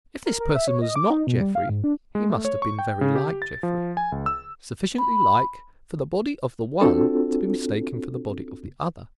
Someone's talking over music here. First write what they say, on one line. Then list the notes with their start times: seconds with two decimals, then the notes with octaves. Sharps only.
If this person was not Jeffrey, he must have been very like Jeffrey; sufficiently like for the body of the one to be mistaken for the body of the other.
0.26 A#4
0.40 A#4
0.55 E5
0.68 C#5
0.82 D#5
0.96 D6
1.10 D#4
1.27 B2
1.40 G3
1.55 F5
1.69 G#2
1.84 D4
2.15 G#3
2.30 A3
2.45 C#5
2.62 C#6
2.79 G5
3.01 C#3
3.15 G4
3.42 A6
3.63 F3
3.97 G#5
4.12 C#2
4.26 E6
4.98 B5
6.81 C4 D4 F4 F#4 A4